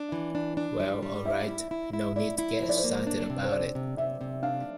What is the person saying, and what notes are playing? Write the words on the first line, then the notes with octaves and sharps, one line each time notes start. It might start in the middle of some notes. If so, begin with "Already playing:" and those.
Well, all right, no need to get excited about it.
Already playing: D4
E3
D4
D4
G3
G3
E4 E5
E4
E4
E4
E4 D5
E4
F3 C5
D5
C5
A#3
D4
C3
C5
C3 D5
C3
C3 E5
C3
D4 F5